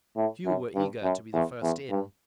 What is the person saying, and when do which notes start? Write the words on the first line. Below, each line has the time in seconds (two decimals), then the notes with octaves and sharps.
Few were eager to be the first in.
0.17 A2
0.46 F#2
0.75 G2
1.03 F#2
1.33 E2
1.62 E2
1.90 G2